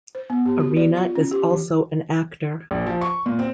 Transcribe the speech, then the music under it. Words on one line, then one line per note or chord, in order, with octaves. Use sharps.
Arena is also an actor.
C5
B3
G4
F#4
D5
F4
C#4
G4
E3
A#1
F3
C#6
A#2
C4